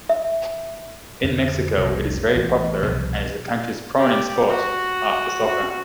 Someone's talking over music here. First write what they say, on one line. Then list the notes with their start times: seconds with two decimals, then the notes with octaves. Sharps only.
In Mexico it is very popular and is the country's prominent sport, after soccer.
0.10 E5
1.24 F2 D3
1.77 F1 C2 A2
2.35 A1
2.84 C2 B2 F3 G3
3.98 G4 D5
4.49 F#4
5.46 F#4